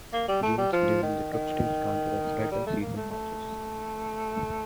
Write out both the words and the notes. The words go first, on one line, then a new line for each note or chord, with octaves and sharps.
Games during the group stage counted as regular season matches.
A#3
G3
A3
G3
F3
D#3
D#3
G3
A3
A#3
A3
A3